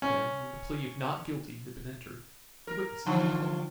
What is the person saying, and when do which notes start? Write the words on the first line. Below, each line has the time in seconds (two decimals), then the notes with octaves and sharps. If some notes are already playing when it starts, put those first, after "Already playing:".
Then, when the plea of "not guilty" had been entered, the witnesses were called.
0.02 C#4
2.67 A#4
3.06 G2 D3 F3